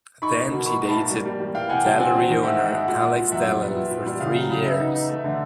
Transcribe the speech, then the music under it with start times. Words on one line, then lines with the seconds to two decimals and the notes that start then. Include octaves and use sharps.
Then she dated gallery owner Alex Dellal for three years.
0.22 D#4 B5 C#6
0.37 A#3
0.51 B2
0.66 A#3 B5 C#6
0.81 G#2
0.88 A5 B5
0.96 A#3
1.10 G3
1.25 G3
1.40 G3
1.55 E3 F5 G5
1.69 C3 F#5 G#5
1.84 G3 G5 A5
1.99 C4 F#5 G#5
2.14 C4
2.29 D#3
2.43 G#2 E5 F#5
2.58 G#3
2.66 E5 F#5
2.73 G#3
2.87 A#2 E5 F#5
3.02 A#2
3.17 A#2
3.32 F#2 E5 F#5
3.46 G3
3.62 B3
3.76 A#2
3.91 A#2
4.06 G3
4.20 C#3 F5
4.35 F#3
4.50 C#3
4.65 B3 E5
4.80 D#4
4.94 D#4
5.09 A3
5.24 D3